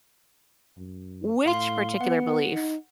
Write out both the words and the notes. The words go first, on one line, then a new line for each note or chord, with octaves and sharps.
which particular belief,
F#2
A2 F5 C6
B3 F#5
D#4